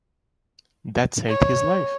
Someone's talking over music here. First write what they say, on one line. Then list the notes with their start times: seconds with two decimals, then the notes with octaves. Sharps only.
That saved his life.
1.28 C#5